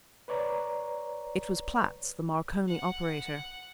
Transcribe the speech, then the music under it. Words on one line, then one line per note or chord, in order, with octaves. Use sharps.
It was Platts, the Marconi operator.
B4 C#5 D5 A#5
F#5